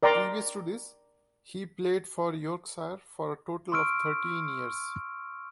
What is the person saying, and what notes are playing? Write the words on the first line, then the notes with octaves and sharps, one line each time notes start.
Previous to this he played for Yorkshire for a total of thirteen years.
A#4 D5 G5 A#5 C6
C6 C#6 E6 F6 D7